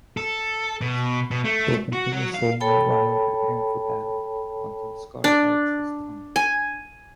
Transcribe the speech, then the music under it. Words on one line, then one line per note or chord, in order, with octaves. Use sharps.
They continue saying it while preparing for battle, until "Scar" bites his tongue.
A4
B2
B2
A3
F#4
F#3
F5
A4 C#5 G5 A5 B5
D4
G#5